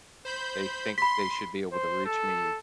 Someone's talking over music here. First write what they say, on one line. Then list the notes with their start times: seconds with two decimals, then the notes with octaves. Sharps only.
they think they should be able to reach me
0.25 C5 B5 G6
0.98 B5 C6 B6
1.72 C5
2.06 A4